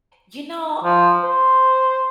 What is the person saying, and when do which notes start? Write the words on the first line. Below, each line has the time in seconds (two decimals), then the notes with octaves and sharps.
you know,
0.84 F3
1.24 C5